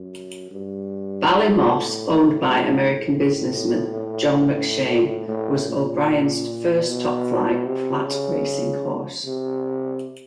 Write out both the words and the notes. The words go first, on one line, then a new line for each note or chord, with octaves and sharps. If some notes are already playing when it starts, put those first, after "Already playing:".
Ballymoss, owned by American businessman John McShain, was O'Brien's first top-flight flat racing horse.
Already playing: F#2
G2
G#2
A2
A2
G#2
A2
A2
A#2
B2
C3
C#3
C3